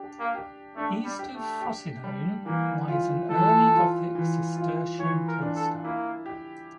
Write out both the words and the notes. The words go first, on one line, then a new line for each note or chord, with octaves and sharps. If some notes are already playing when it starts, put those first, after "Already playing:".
East of Frosinone lies an early gothic Cistercian cloister.
Already playing: D4 G4
A#3
G4
A3 D4
G3
G4
A3
G4
G3
E3 A#3
F4
E3 A4
F4
E3
F4
E3 C#5
A#4
D4
A4
A#3 E4
G4